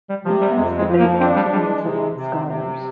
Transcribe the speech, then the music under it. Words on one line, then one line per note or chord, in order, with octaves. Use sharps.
Intense debate continues among scholars.
G3
C3 F3
G3
F2 G#3
G#3
F3
A#3
C4 D4
G3
G3 G#3
C3
C3
C3